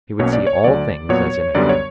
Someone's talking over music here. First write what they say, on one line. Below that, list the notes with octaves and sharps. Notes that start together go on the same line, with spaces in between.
He would see all things as in a dream.
B1 B2 A#3 C#4 C#5
D5
C#5
D2 D3 F#3 D5
A#2 F#3 B3 C#5
F#2 D3 G3 B3 D5
C#5